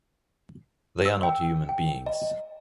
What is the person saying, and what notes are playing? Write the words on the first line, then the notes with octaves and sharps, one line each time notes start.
They are not human beings.
E6
G5
G5
D#5